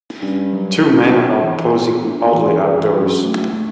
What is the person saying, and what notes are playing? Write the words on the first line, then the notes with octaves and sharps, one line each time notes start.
Two men are posing oddly outdoors.
G2 C#4
F#3
C#4
D4
E3
B3
A2 D4
B2
E3
C#3
E3
F#2
F#2 D4
A3
A3